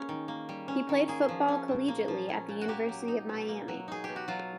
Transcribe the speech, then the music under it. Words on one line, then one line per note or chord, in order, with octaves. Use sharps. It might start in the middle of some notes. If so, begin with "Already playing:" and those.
He played football collegiately at the University of Miami.
Already playing: A#3 C#4 G#4
D#3
A#3
G3
C#4
D#3
A#3 G#4
F3
C#4
A#2
A#3
F3
C#4
A#2
F#4
A#3 G4
F#3
D#4
B2
A#3
F#3
D#4 G#4
B2 G4
F#4
F#3 F4